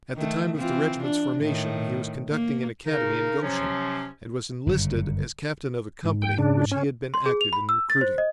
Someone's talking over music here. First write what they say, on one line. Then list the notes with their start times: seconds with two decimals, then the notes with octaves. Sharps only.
At the time of the regiment's formation he was conducting an academy in Goshen, and was enlisted as captain of a company which he had been active in recruiting.
0.16 D#3 A3
0.57 E3 C4 F4
1.03 D4
1.39 A2 D#3
2.29 A#3
2.86 C#3 D#4 A#4
3.42 C3 F3 F#3 C#4
4.66 G1 F#2 A2 C#3
6.05 G#2
6.22 G5
6.38 C#3 D4
6.71 C#4
7.14 C6
7.26 G#4
7.41 F7
7.53 B5
7.69 E6
7.90 A6
8.01 C5
8.18 D#5